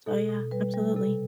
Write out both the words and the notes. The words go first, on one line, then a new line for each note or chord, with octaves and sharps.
So, yeah, absolutely.
B2 A4
B2
G3 B4
G3
C3 A4